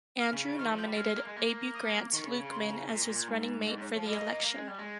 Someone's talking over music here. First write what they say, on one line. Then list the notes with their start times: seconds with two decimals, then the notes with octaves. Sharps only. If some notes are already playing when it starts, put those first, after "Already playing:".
Andrew nominated Abu Grant Lukeman as his running mate for the election.
0.20 F6
0.33 C#3
0.46 C#3
0.58 D#3 F6
0.72 F3
0.78 G6
0.84 G3
0.96 G#3 F6
1.17 A#3
1.27 G#3
1.36 A#3
1.74 D#6
2.13 D#3 C#6
2.26 C#3
2.38 C#3
2.51 C6
2.71 A#5
2.89 A#2
3.03 A#2
3.16 A#2
3.28 G#2
3.67 G#2 D#5
3.77 G#2 C#5
3.93 C#5
3.97 F3
4.06 G3 D#5
4.18 A#3
4.32 A#3
4.44 A#3
4.56 G#3
4.67 G3
4.78 G#3